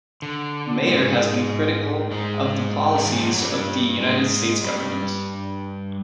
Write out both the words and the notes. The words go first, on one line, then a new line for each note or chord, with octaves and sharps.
Mayer has been critical of the policies of the United States government.
D3
G#2 G#3
G#2 G#3
D#3
E3
F3
F#3
G2 G3
G#2 G#3
G2 G3